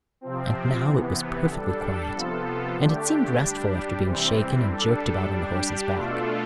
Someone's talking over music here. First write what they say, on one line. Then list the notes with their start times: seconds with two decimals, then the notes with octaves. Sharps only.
And now it was perfectly quiet, and it seemed restful after being shaken and jerked about on the horse's back.
0.21 C3 F3 C4
0.85 C3 E3 B3
1.48 G3 D4 A4
2.12 C3 F3 B3 F4 A4
2.76 D3 A3 D4 G4
3.39 G3 D4 G4
4.04 C3 E3 G3 C4
4.67 G3 D4 A4
5.30 G3 D4 G4
5.94 B2 A3 D4 F4 A4